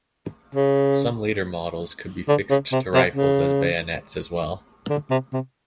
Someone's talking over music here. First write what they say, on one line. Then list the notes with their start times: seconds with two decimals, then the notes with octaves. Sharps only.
Some later models could be fixed to rifles as bayonets as well.
0.55 C#3
2.28 D3
2.50 C#3
2.72 C3
2.94 C3
3.15 C#3
4.90 D3
5.10 C3
5.33 C3